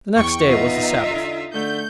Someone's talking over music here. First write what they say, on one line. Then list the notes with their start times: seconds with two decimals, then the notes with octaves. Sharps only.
The next day was the Sabbath.
0.16 E2 G5 C#6
0.47 B3 D#4 F4 E5
1.10 D3
1.53 D3 A3 G6